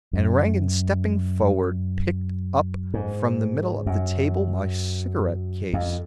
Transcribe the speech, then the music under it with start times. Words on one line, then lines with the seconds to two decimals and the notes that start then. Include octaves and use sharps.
"And Rangon, stepping forward, picked up from the middle of the table--my cigarette case."
0.13 F#2
2.94 G#2
3.86 F#2
5.73 F2